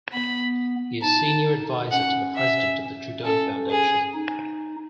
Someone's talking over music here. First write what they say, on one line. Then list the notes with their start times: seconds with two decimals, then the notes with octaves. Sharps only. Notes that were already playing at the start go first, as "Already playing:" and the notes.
He is Senior Advisor to the President of the Trudeau Foundation.
0.13 B3 B5
1.02 D#4 A5
1.91 C#4 F#5
2.36 E5
3.25 C#4 A4
3.70 G#4
4.14 D#4